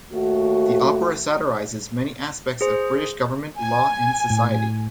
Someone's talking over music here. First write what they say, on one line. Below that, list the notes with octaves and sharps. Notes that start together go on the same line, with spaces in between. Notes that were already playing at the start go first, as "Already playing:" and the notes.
The opera satirises many aspects of British government, law and society.
D#2 A3 F#4
G#4 C5
G#5
A2